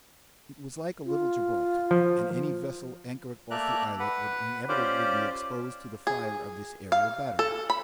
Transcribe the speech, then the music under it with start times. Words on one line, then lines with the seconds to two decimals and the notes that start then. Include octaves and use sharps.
It was like a little Gibraltar, and any vessel anchored off the islet would inevitably be exposed to the fire of this aerial battery.
1.06 F4
1.91 F3
3.51 A3 A#3 D5 E5 A#5 F#6
4.00 B4 F#5
4.69 C#4 F4 G4 C5 D5
6.07 G#4
6.92 F5
7.39 A4
7.70 B5